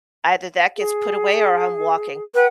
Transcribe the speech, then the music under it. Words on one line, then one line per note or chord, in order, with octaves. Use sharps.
"Either that gets put away or I'm walking."
G#4
B4 F#5 G5